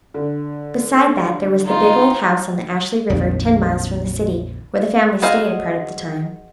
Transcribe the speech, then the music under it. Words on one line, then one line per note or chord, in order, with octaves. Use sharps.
Beside that there was the big old house on the Ashley River ten miles from the city, where the family stayed a part of the time.
D3
D#4 F4
A#1 F2 D#3
F#4 G#4 C5 D#5 F5